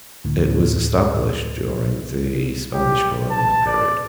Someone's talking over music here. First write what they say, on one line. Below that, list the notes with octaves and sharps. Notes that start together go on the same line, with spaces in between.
It was established during the Spanish colonial period.
D2 A2
G4
A5
D5